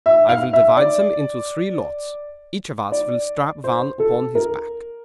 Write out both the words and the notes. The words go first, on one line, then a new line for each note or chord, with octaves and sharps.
I will divide them into three lots; each of us will strap one upon his back.
E5
F5
E5
D5
D5
C5
A4
A#4